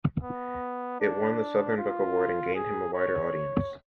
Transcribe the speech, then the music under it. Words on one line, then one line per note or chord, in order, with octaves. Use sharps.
It won the Southern Book Award and gained him a wider audience.
B3
D4
F4
G#4
C#5